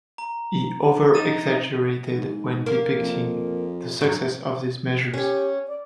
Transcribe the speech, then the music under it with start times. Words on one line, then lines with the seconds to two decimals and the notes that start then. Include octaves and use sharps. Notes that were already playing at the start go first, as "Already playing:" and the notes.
He overexaggerated when depicting the success of these measures.
0.18 A#5
1.14 D#4 A6 D#7 E7
2.15 G#2
2.66 A#3
2.99 F2
4.01 G2 F#3
5.14 C#4 G4 C#5
5.68 D5